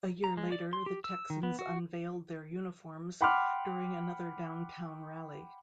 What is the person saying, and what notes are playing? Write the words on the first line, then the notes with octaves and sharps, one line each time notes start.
A year later the Texans unveiled their uniforms during another downtown rally.
A#5
G#3
D5
C6
G4
E6
D#3
B3
F#4
F#5 G5 B5 C6 D6 F6